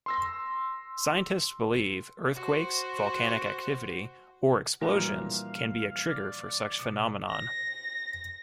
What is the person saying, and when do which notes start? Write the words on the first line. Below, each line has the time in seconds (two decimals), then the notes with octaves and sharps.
Scientists believe earthquakes, volcanic activity, or explosions can be a trigger for such phenomenon.
0.06 C6 E6 A#6
2.33 F#4 C5
4.81 A#2 E3 F3 G3 D4 F#4 F5
6.10 D5
6.80 B2
7.30 A#6